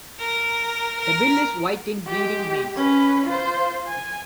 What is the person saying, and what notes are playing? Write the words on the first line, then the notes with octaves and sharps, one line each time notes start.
The bill is white in breeding males.
A#4
A#4
G#3 G4
C#4 B4
F4 C5
G#5